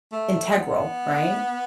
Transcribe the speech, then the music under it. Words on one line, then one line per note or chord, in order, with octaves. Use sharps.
integral, right?
A3
B3